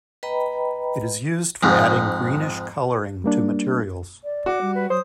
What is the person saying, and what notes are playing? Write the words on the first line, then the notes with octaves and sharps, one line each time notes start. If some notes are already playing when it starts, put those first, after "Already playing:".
It is used for adding greenish coloring to materials.
B4 D#5 G5 A#5 B5
F2 G#2
G3 A#3 D4
D5
F#4 D6
G3
B4
F#3 C5 D#6